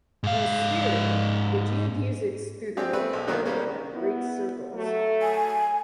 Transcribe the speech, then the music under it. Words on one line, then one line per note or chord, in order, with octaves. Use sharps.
On a sphere, the geodesics through the North pole are great circles.
G#2 F5
C4 D4 G4 G#4
A3 C4 B4
B1
D3 D#3 F#3 A#3 B3 D4
G3 G#3 A#3 C#4
B3 E4
F#3 A3
G#5